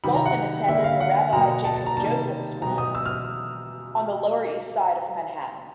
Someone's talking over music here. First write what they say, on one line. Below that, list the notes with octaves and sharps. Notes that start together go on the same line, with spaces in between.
Goldman attended the Rabbi Jacob Joseph School on the Lower East Side of Manhattan.
C3 D#3 F#3 B5
A#5
F#5
D3 G3 A#3 E5
F5
F#5
B2 F#3 A#3 A#5
A5
A5
A#5
C3 D#3 G3 A#3 A5
B2 F#3 B3 A#5
D#6
E6
F6